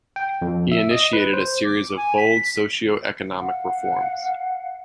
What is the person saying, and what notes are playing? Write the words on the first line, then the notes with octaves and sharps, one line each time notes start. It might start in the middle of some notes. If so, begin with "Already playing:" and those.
He initiated a series of bold socio-economic reforms.
G5
F2
E5
D#5
B4
C5
D6
G#5
B6
F5 F#5